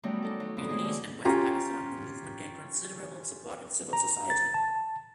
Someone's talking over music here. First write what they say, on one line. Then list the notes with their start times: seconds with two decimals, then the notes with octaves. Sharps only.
In East and West-Pakistan, the movement gained considerable support in civil society.
0.03 D#3 F#3 G3 A3 B3 C#4
0.22 D#4 A4 D5
0.40 F#3
0.57 F2 B3 D#6
0.69 D#3 E3 G#3 A3 G#4
0.84 D3
1.25 C#4 F4 G4 A#5
3.93 A#5
4.30 A6
4.54 A5